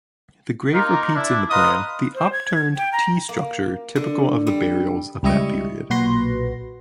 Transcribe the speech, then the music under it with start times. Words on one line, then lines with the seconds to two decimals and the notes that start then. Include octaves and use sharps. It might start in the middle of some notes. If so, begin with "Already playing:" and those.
The grave repeats in the plan the upturned T structure typical of the burials of that period.
0.74 A#3 D#4 F4 A#4
1.15 D4 E4
1.50 B4 D#5 F5 A#5 C6 D#6
2.15 C5
2.33 G#6
2.76 G5
2.93 A#5
3.29 A#3
3.96 D3
4.47 G3
5.23 C#2 G3 E4 D#5 C#6
5.90 B1 A#2 F#4 B4 C6 A#6